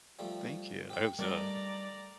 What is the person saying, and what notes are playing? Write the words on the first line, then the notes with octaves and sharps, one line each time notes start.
Thank you. I hope so.
F3 G3 A3
G4 G5
D#3 G3 A3 D4 D5 A#5